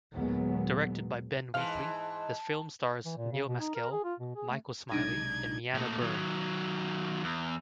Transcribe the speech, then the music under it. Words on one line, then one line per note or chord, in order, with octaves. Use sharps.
Directed by Ben Wheatley, the film stars Neil Maskell, Michael Smiley and MyAnna Buring.
D#2 A#2 F#3 G#3 B3
G#2 E3 F5 A5 F6
E3
A#2
C#3
B2
D#4
A#4
G#4
F4
B2
G#4
A3
B1 C3 G#3 D4 D#4 G#6
A#2 A3
D#3 F#3
E2